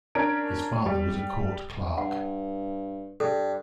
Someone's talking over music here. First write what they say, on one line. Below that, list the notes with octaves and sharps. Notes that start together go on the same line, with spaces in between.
His father was a court clerk.
C#4 D4 A#4 G#6 D7
G3
G2 F#5
G2 A4